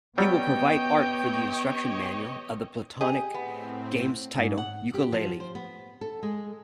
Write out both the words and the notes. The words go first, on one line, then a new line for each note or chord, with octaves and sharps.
He will provide art for the instruction manual of the Playtonic Games title, "Yooka-Laylee".
F#3 G3 B3 G4 C#5 D#5 G5
G4 G#4 D#5
A2 B3 C4
G#2
F#5
G4
F3
C5
B3
A4
G#3